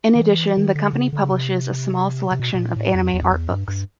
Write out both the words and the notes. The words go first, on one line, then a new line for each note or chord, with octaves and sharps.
In addition, the company publishes a small selection of anime artbooks.
D#3
E3
D#3
D3
C#3
D3
C#3
C3
C3
B2
B2
A#2
A2
F2
E2
F2
E2
G2
G2